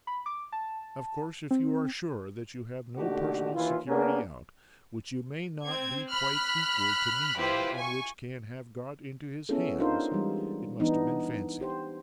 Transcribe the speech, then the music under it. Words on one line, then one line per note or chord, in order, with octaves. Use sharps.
Of course if you are sure that you have no personal security out, which you may not be quite equal to meeting, and which can have got into his hands, it must have been fancy.
B5
D6
A5
C4
A#2 D3 A3 D#4 F#4 G4
D#2 E3 E4 F4
A#3 B3 C#4 D4 G#4 A#4
C4 G#6
B5 F6 F#6
E4 F4 G4 B4 C5
G#5 C#6
B3 C#4 E4 G#4 A4
D4 D#4 F4 A#4 C5
E3 G3 G#3
E3 B3 D4 D#4
G4 C5